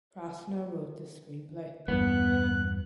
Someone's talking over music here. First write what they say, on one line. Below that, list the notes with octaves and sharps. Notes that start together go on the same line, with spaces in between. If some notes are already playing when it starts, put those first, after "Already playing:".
Krasna wrote the screenplay.
E2 G2 B3 F#6